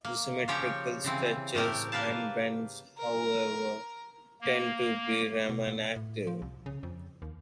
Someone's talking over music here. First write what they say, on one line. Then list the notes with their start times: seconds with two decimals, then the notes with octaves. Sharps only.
Symmetrical stretches and bends, however, tend to be Raman active.
0.05 A#3
0.48 C#3 F3 C#4 G4 C#5 G5
1.04 C#3 E3 C4
1.55 A2 A3 G4 A#4
1.92 A#3 A#4 B4 F5 A5
2.98 A#4
4.41 A#3
5.49 B2
5.67 A#2
5.96 A2
6.27 F3
6.42 C2
6.66 C#3
6.83 F2
7.22 D#2